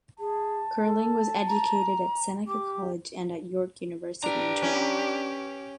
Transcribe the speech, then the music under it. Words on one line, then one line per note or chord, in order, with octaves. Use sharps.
Curling was educated at Seneca College and at York University in Toronto.
G#4 A5
A4
A#5
G4 D6
D4 G4 B4 A#5
C#4